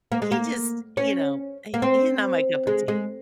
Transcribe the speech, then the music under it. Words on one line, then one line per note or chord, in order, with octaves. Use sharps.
he just, you know, he he's not my cup of tea.
A#3
G#3
A#3
C#4
A#3
C4
G#3
G#3